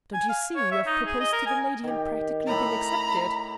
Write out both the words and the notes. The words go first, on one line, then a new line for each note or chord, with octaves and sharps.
"Don't you see you have proposed to the lady and practically been accepted?"
G#5
F5
C#5
E5
D#4
G#4
D#5
A#4
G#5
D#3 G4
A2 A4 A#5 B5